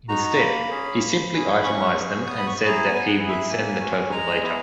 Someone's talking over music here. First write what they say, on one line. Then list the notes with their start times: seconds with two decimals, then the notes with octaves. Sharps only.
Instead, he simply itemised them, and said that he would send the total later.
0.08 D#4 F#4 A#5
0.24 A#5
0.39 A#3 B5
0.71 C#4 G#4
1.01 A#3
1.33 C#4 E4 G#4
1.63 C#4 C#6
1.94 G#4
2.26 B3 D#6
2.38 B5
2.47 C#6
2.57 E4 G#4
2.67 A#5
2.87 B3 G#5
3.08 F#5
3.19 E4 G#4
3.29 E5
3.49 A#3 G#5
3.80 C#4 F#4
4.12 G#3 A#5
4.43 B3 E4 G#4